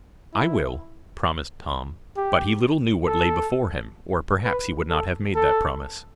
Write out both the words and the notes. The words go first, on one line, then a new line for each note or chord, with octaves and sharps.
"I will," promised Tom, but he little knew what lay before him, or perhaps he would not have made that promise.
E4
G4
A4
B4
A4
A4